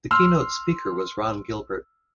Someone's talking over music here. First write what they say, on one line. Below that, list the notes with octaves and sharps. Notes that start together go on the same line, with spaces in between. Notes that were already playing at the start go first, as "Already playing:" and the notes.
The keynote speaker was Ron Gilbert.
C6 E6 F6